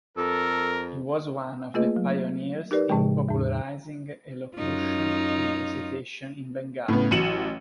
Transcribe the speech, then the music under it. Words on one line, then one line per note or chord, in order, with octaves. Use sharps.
He was one of the pioneers in popularizing elocution and recitation in Bengali.
F2 A4 A#4
A3 A#3 F4 G#4 B4 D#5
F#3
D#4 G4 A#4 B4 D5
A2 C#3 F3 G#3
E2 A2
F#2 D#4 F4
A2 C#3 B3
A1 F#3 C#7 D#7 E7 F#7